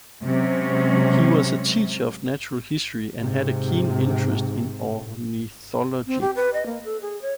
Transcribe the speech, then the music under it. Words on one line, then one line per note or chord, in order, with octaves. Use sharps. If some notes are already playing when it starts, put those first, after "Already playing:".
He was a teacher of natural history and had a keen interest in ornithology.
C3 F#3 G#3 C#4
G#2 C3
C4
G4
B4
D#5
A#3
A4
G#4
C#5